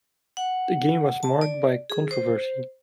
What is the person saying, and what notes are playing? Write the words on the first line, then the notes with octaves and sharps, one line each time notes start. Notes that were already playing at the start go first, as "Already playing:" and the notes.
The game was marked by controversy.
F#5
A5
D5
G#4
C5